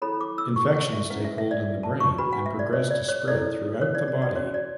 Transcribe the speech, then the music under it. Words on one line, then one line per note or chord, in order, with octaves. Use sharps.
Infections take hold in the brain and progress to spread throughout the body.
E4 A4 C#5 B5
D6
E6
C#6
F#5
E5
C#4 E4 B4 F#5
E5
E5
D5
A5
C#6
D4 F#4 B4 B5
F#5
E5
D5
C#5
D5
C#5
E4 A4 C#5 D5
C#5
D5
D5
D5
C#4 F#4 C#5
D5